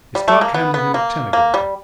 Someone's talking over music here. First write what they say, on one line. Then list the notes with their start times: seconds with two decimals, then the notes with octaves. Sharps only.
His clerk handed him a telegram.
0.15 G3
0.28 A3
0.41 A#3
0.54 B3
0.74 B3
0.94 A#3
1.33 A#3
1.54 G3